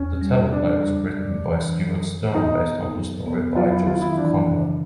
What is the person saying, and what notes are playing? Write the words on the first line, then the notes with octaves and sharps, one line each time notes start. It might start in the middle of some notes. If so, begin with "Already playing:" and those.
The teleplay was written by Stewart Stern based on the story by Joseph Conrad.
Already playing: E2 C#4
G3
C#3 D4
G3
G3
E3
F#3
D#3
B3 D#4
B3
F#3
B3
F#3 F4
E4
D#3 F4
E4
E3 D4
C#3